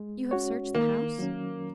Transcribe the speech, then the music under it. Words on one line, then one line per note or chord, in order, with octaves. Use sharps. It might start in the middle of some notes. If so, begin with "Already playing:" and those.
"You have searched the house?"
Already playing: G#3
C#4 F#4 C#5
D#3 A#3
F#3 C#4